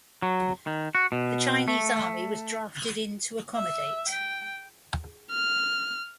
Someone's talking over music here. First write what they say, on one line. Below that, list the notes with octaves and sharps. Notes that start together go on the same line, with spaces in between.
The Chinese army was drafted in to accommodate.
F#3
D#3
F#4
B2
A3
E5
G5
F6